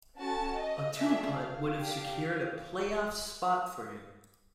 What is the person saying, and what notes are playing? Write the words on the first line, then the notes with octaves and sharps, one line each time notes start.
A two-putt would have secured a playoff spot for him.
C#4 F#4 A4 A5
D#5
A3 D4 F4 G#4 E5
F5
D4 G4